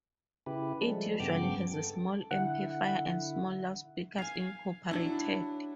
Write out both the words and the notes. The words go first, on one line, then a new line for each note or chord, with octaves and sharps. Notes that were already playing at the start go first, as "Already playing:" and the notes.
It usually has a small amplifier and small loudspeakers incorporated.
C#3 E4 G4 B4
F3 G3 G#3 A4
G2 C#3 B3 G5 D6
A4
D3 E4 F#5
F5 G#5
F#3 D4 E4